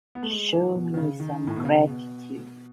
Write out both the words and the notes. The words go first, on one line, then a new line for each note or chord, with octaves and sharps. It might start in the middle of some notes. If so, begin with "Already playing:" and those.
Show me some gratitude.
B3
A3
G#3
E3
B2
D#3
C#3
D#3
A2
B2
C#3
B2